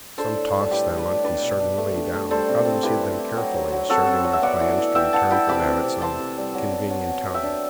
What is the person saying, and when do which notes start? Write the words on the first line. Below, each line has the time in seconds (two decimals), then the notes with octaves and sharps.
Some tossed them unconcernedly down; others hid them carefully, asserting their plans to return for them at some convenient time.
0.18 D4 A4 C5
0.36 A2
0.54 G3
0.71 A2 G4 B4
0.89 G3
0.98 B4 D5
1.07 A2
1.24 D4 B4 D5
1.42 B2
1.60 D4
1.77 A3
1.95 D4
2.13 A3
2.31 G3 A4 C5
2.49 C3
2.65 C4
2.83 E4 G4 B4
3.01 C4
3.19 E4
3.37 F#3
3.54 F#3
3.72 F#3
3.89 C4 F#4 A4
4.07 C4
4.24 F#3
4.33 E5
4.42 B3 D5 F#5
4.60 E3
4.78 E3
4.95 E3 E5 G5
5.13 E3 F#5 A5
5.30 E3 G5 B5
5.49 C3 B5 D6
5.67 C3
5.84 C3
6.01 C3 A5 C6
6.19 C3
6.38 G3
6.54 F#3
6.72 B3
6.90 F#3
7.07 F#3
7.26 B3
7.34 E5 G5
7.43 D4